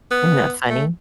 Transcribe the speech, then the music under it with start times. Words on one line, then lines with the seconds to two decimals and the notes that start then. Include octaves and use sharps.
Isn't that funny?
0.11 B3
0.70 A3